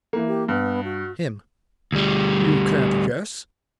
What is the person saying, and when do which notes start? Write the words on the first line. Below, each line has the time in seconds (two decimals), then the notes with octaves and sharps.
HIM: You can't guess?
0.13 E3 A#3
0.28 G4
0.48 G2 B3
0.84 F#4
1.92 D2 G3